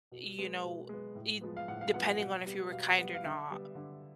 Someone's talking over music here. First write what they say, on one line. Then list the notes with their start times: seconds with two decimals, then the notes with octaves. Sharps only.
you know, it depending on if you were kind or not,
0.12 B2
0.38 G#3 B3
0.64 B2
0.89 G#3 B3
1.15 A2
1.41 F3 G#3 B3
1.57 F5
1.68 A2 F#5
1.81 F5
1.93 F3 G#3 B3 F#5
2.07 F#5
2.19 B2 F#5
2.46 G3 B3
2.71 B2 F5
2.98 G3 B3 F#5
3.14 F5
3.24 D3 E5
3.50 G3 B3
3.75 D3